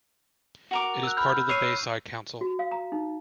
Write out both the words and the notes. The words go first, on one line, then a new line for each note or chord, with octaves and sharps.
It is part of the Bayside Council.
F#4 A#4 D6
E6 F#6
B5 F6 G6
C#5 E6 C7 D#7
F#4
F5
A#5
D#4